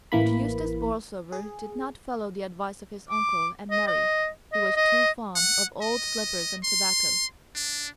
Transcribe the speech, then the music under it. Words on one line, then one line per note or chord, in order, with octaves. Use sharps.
But Eustace Borlsover did not follow the advice of his uncle and marry. He was too fond of old slippers and tobacco.
A1 E3 A#3 B5
G#4
D6
D#5
D#5
D#5
D#5
F#5
D#5
C6
D4